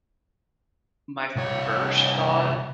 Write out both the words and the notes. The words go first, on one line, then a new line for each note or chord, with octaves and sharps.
my first thought
C2 C#5